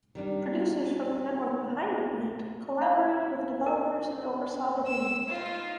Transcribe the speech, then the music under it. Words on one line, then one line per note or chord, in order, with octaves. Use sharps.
Producers from the network behind the brand collaborated with developers and oversaw the games.
D#3 G3 D4
F5
A#4
E6
D#4 F4